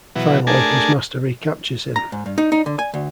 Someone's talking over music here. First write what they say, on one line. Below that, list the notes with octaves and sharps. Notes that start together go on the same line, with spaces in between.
Finally, his master recaptures him.
B2 E3 F#3
A3 D4 G#4 A#4 G#5 A5
A#5
G#2
G2
D#4
D#4
D3
G#5
D2